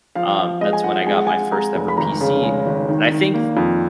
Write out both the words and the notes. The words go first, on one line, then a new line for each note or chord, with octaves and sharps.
um, that's when I got my first ever PC, and I think
F3 F5
F3
G#3 D#5
G#5
F3 F#5
G#3 G#5
F#5
G#3 G#5
G#3 A#5
F1
B5
G#1 A#5
C#3
G#3
G#1
D#3
D#3
A#3
F2